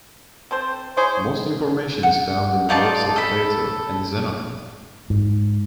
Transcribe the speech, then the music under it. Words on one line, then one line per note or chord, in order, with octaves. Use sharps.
Most information is found in the works of Plato and Xenophon.
C4 A4 C5
E4 G#4 C5 C#5
F#5
D#4 F4 D5 A5
A4 B5
G#2